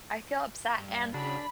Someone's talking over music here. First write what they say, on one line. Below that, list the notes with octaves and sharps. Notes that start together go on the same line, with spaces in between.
I feel upset and
G2
C#3 D4 F#4 G#4 B5